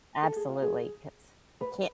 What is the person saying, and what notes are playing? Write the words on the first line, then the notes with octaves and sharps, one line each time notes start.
Absolutely, 'cause I can't
A4
G#4
F4
G#4
B4